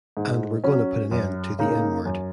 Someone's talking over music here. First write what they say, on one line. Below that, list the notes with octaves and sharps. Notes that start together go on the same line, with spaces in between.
And we're gonna put an end to the n-word.
G#2
F#3 C#4
F#2
C#3 A#3 D#4
F#2